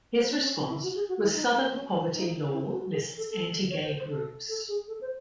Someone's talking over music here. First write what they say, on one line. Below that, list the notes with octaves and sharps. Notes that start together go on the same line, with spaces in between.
His response was Southern Poverty Law lists anti-gay groups.
C5
C#4
C#4
D#4
E4
F#4
G#4
F#4
E4
D#4
C4
C#4
D#4
D#4
E4
F#4
G#4
A4
A4
C#5
C5
C5
A4
A4
G#4
A4
C5